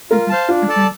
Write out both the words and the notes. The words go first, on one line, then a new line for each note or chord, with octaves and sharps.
Mhm, mhm.
F4 A#4
C5 F5 A5
D4 F4
A4 D5 A5